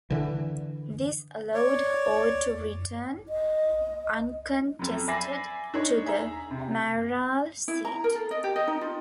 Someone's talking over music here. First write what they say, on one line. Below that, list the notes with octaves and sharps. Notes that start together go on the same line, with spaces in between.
This allowed Orr to return uncontested to the mayoral seat.
D3 E3
C#5 D5
D#5
F2 F#3
D5 E5 G#5 B5 A#6 C7
D4 D#4 C#5
G#4 E5 A#5
C3
E4
A#5
A#4
A4
D#5
G4
D#5
D#4
F4